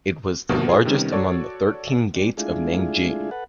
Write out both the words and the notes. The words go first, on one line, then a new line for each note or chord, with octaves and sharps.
It was the largest among the thirteen gates of Nanjing.
D2 G2 B2 F3 A#3
F4 G#4 A#4
C3 D#3 G3 B3 C#4
F#4 A4 C#5 D5
G3 G#3 D4
G#3 A3 D4 E4 F4 G#4
A4 B4 F#5